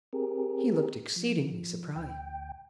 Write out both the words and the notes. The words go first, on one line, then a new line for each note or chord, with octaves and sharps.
He looked exceedingly surprised.
C4 G4 G#4 A#4
F3
D2 G5